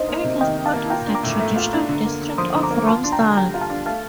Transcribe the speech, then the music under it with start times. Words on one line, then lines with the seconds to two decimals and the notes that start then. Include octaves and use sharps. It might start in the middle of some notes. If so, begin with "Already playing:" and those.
It is part of the traditional district of Romsdal.
Already playing: D4 D#4 C5 D#5
0.08 A#3
0.24 C3
0.41 D#3 D#5 G5
0.57 D#4
0.66 F5 A5
0.74 A#3
0.90 F4 G5 A#5
1.07 D4
1.15 A#5 D6
1.23 A2
1.39 A3
1.56 F4
1.73 D4
1.89 D3
2.06 A#3
2.21 D3
2.38 F3 C6 D#6
2.54 D3
2.63 A#5 D6
2.71 A#3
2.87 F4 A5 C6
3.04 D4
3.12 G5 A#5
3.21 D3
3.37 G3 G5 A#5
3.54 F4
3.61 F5 A5
3.70 D4
3.86 A3 F5 A5